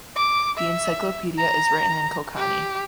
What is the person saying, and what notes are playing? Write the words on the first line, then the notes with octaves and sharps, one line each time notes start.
The encyclopedia is written in Konkani.
D6
E5
A#5
G4